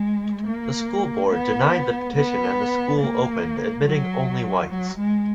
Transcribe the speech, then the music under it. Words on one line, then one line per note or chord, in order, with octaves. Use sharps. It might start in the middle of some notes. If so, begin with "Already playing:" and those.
The school board denied the petition and the school opened, admitting only whites.
Already playing: G#3
A#3
B3
B3
A#3
F#3
F#3
G#3